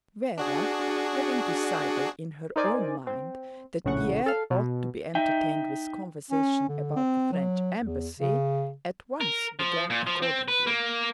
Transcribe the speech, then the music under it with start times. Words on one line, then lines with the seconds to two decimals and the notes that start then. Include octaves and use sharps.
Vera, having decided in her own mind that Pierre ought to be entertained with conversation about the French embassy, at once began accordingly.
0.38 D4 F#4 G#4
2.56 D#4 A#4 C5 D5 D#5 G#5
3.07 C4
3.85 A#1 A2 C#3 A3 F#5 C#6
4.26 A4 F5
4.50 B2
5.15 D#4 E5 G5
6.31 C#4
6.69 D3
6.96 C4
7.32 F#3
7.81 E2
8.20 C#3
9.21 A#4
9.59 F3
9.90 A#2
10.07 F3
10.22 C4
10.48 B4
10.67 A#3